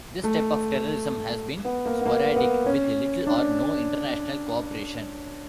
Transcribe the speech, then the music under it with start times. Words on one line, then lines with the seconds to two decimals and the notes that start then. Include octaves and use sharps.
This type of terrorism has been sporadic, with little or no international cooperation.
0.24 A3
1.65 B3
1.86 A#3
2.01 B3
2.06 A#3
2.36 B3
2.66 C#4
3.27 D4